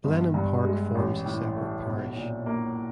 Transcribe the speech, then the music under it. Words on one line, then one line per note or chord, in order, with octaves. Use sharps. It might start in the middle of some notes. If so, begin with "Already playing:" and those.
Blenheim Park forms a separate parish.
G1
G2
G#3
A1
A2
A3
B1
A#2
A#3